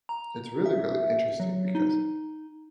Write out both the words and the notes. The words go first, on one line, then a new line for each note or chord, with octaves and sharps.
it's really, really interesting because,
A#5
E5
F#3
D#4